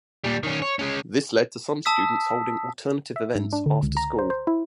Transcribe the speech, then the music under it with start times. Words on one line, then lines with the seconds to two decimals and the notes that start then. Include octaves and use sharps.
This led to some students holding alternative events after school.
0.24 A#2 G3
0.43 D#3 C#4
0.62 C#5
0.79 G#3 C#4
1.85 A5 D#6 E6 B6
3.16 E5
3.35 G#2
3.53 D4
3.66 D3
3.83 C#2
3.97 A#5
4.19 C5
4.30 C5
4.47 E4